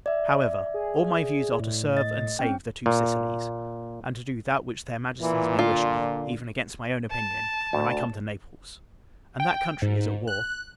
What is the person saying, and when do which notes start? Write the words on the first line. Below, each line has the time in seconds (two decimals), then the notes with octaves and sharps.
However, all my views are to serve and save the Two Sicilies; and to do that which their Majesties may wish me, even against my own opinion, when I come to Naples, and that country is at war.
0.06 D5 E5
0.74 G#4
1.60 A2
1.97 D#5 A6
2.39 C4 C#4 G5
2.86 A#2
5.21 A#2 E3
5.59 D3 F4
7.10 A5
7.73 D2
9.40 G5
9.82 G#2
10.27 F#6